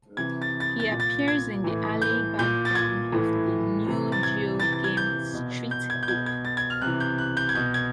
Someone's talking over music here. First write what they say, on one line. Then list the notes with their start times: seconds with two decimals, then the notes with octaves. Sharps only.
He appears in the alley background of the Neo-Geo game "Street Hoop".
0.17 C3 E3 G#6
0.42 A6
0.60 A6
0.80 A6
0.91 A#2
1.00 A6
1.28 G#6
1.64 A2 E3
2.02 G6
2.39 A#2 G6
2.65 A6
2.75 G#6
3.12 A2 E3
3.87 C3 E3
4.12 A6
4.23 G#6
4.60 C3 E3 A6
4.73 A6
4.84 G#6
4.97 G6
5.33 B2
5.71 G6
5.90 G#6
6.03 G6
6.08 B2 G#6
6.26 G#6
6.45 A6
6.57 G#6
6.70 F6
6.81 C3 E3 F#6
7.00 G6
7.18 F#6
7.37 G6
7.49 G#6
7.55 B2 G6
7.74 G#6